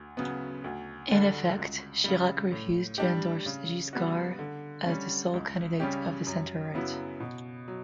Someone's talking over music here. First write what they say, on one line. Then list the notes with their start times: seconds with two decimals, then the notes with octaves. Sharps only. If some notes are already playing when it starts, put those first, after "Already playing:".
In effect, Chirac refused to endorse Giscard as the sole candidate of the centre-right.
Already playing: D2
0.17 C#3 F#3 B3
0.64 D2
1.11 D3 G3 D4
1.57 C#2
2.04 C#3 G3
2.52 A2
2.98 G3 D4 G4
3.46 C#3
3.93 G3 B3 F#4
4.39 D3
4.86 G3 C#4
5.33 C#2
5.80 C#3 G3 C#4 G4
6.27 F#2
6.74 C#3 F#3 B3 E4
7.20 B2
7.68 F#3